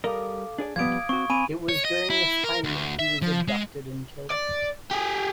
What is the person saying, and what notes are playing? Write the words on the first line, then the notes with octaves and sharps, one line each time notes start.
It was during this time that he was abducted and killed.
G3 A4 A#4 D#5 F5 D6
D4 G#4 D5
F3 G3 B3 F5 D6 D#6 G#6 D7
C4 F#4 C#6
C4 G#5 B5 D#7
C#5
D#5
E4
A#4
D2
E5
F3
G#3
D5
G4 G#4